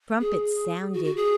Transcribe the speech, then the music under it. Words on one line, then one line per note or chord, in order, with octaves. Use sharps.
Trumpets sounded.
G#4
F#4
F#4
G#4